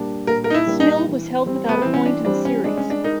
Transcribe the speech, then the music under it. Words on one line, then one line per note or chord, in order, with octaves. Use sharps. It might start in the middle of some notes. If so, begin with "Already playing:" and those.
Smyl was held without a point in the series.
Already playing: A#2 G3 A#3 D4
A#2 A#4
A#4
D#4
E4
G3 A#3 D4
D#4
E3
G3 C4
B3
E3 C4
C#4
D4
G3 C4 D4
C#4
G#3 D4
C#4
D4
D#4 A#4